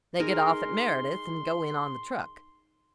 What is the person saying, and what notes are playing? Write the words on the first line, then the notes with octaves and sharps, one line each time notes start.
They get off at Meredith and go in on the truck.
D#4 G#4 A#4 C6